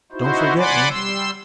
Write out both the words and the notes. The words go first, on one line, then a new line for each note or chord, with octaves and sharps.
"Don't forget me."
D#4 E4 F#4 C5
D5 F#5 G#5 B5 C6 D6
G3 C6 E6